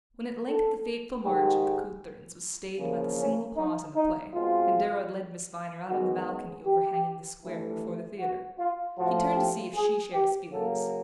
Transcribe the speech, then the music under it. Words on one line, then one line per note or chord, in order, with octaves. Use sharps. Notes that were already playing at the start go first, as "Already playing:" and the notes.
When at length the fateful march of the cothurns was stayed by the single pause in the play, and Darrow had led Miss Viner out on the balcony overhanging the square before the theatre, he turned to see if she shared his feelings.
A4
G#2 D#3 G#3 G4
E2 C#3 F3 A#3
C#4
D#4
D#4
B2 G#3 C4 F4
F#2 D#3 G#3 B3 F#4
G4
G2 E3 A3
F#4
F4
A2 F3 A3 F#4
G4
G#4
G4
C#3 F#3 A#3 A4